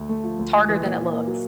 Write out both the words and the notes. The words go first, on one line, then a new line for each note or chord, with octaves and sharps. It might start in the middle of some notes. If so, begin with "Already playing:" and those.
T harder than it looks.
Already playing: D2
A3
F3
D2
G#3
E3
A#2
A#2
A#3
F#3